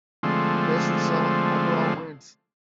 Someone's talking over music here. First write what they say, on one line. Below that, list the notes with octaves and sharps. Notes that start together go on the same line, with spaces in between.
The best result overall wins.
D3 F3 G#3 A3 C4